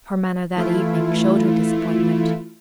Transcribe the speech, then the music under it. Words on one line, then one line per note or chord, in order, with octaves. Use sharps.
Her manner that evening showed her disappointment.
E3 A3 E4 F4